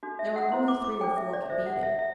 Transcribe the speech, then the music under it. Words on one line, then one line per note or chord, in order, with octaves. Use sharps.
There were only three or four could beat it.
D4 F#4 A4
E5
F#5
E4 A4 C5 C6
D6
D6
D4 A4 C5 G5
E5
D5
D4 A4 C5 E5
F#5
E5
E5